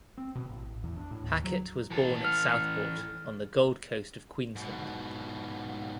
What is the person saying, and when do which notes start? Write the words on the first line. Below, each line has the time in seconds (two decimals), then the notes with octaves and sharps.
Hackett was born at Southport on the Gold Coast of Queensland.
0.17 C4
0.35 B2
0.49 A1
0.83 E2
0.96 D4
1.11 A2
1.24 D#2
1.44 F#3
1.91 E3 A4
2.24 F6
4.56 G#2 B2